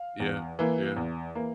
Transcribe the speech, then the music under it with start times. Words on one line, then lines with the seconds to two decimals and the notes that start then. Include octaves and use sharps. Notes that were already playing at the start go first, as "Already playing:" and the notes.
Yeah, yeah.
Already playing: F5
0.20 E2
0.59 E3 A#3
0.97 E2
1.35 E3 A#3